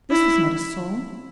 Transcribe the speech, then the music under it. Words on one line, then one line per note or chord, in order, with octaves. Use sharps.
This was not a song.
E4